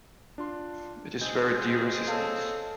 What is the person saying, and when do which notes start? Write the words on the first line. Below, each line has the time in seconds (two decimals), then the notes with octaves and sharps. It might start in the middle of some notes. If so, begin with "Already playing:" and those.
It is very deer-resistant.
0.38 D4 F4 C6
1.21 G#3 C4 G#4 G6
2.08 A4 C#5 F5